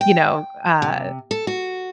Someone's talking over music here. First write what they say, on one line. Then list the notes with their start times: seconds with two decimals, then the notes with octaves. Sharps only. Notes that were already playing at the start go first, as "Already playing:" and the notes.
you know, uh,
0.01 G5
0.82 C3
1.31 A4
1.47 F#4